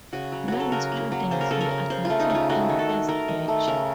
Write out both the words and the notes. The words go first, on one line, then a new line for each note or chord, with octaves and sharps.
Nine students were admitted in first batch.
C#3 F#4
F#3
F#3 F#4
A4
C#3 A#4
A#3
F#3
C#3 C5
A#4
C#3 A4
A#4
C#3
C#3 C5
F4
A3
D#4
C#3
F4
A3 F#4
D#3
A4
A3
A3 A#4
D#3
A3
C#3 A#4